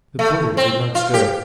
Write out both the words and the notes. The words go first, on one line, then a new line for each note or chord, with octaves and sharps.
The porter did not stir.
A3
C4
F4
G4